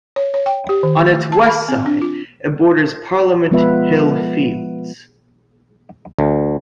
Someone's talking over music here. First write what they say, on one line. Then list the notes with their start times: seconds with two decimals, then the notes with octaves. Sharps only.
On its west side, it borders Parliament Hill Fields.
0.16 C#5
0.34 C#5
0.46 G5
0.69 G4
0.83 D#3
1.06 A3
1.32 A5
1.46 B5
1.68 C4
1.86 D4
2.02 F4
3.51 F3 G#3 B3 F4 B4 E5
6.19 D2